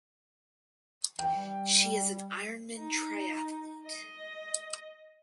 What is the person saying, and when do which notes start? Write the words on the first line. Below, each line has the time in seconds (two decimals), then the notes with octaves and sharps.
She is an ironman triathlete.
1.19 E3 G5
1.34 G3
2.76 D#4
3.84 D#5